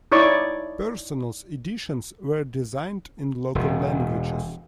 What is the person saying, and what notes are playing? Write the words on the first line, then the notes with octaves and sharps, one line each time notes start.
Personals editions were designed in local languages.
D#4 E4 C#5 D5 C#6 D#6
E1